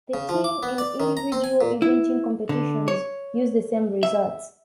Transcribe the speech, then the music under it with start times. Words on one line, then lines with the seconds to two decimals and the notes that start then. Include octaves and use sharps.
The team and individual eventing competitions used the same results.
0.14 C#3
0.29 F3
0.44 D6
0.63 B3
0.78 D5
1.00 D#3
1.17 A#5
1.32 C4
1.44 G#5
1.61 A#2
1.82 E4
2.49 D3
2.88 C#5
4.03 E5